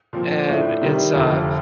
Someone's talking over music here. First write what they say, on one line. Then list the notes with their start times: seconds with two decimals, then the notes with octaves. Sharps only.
And it's a
0.13 A#2 F3 C4
0.47 A2 A3 D4
0.81 C3 D#3 G3
1.15 F1 F2 D3